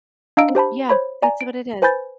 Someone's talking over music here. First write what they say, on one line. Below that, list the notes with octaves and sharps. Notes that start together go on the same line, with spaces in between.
Uh, yeah, that's what it is.
D4 D#5 F5 A#5 E6 D7
G4 C5 A5 B5
C5 C#5 B5
D5 G#5 A#5
D7
B4 C5 G#5 B5 G6 A6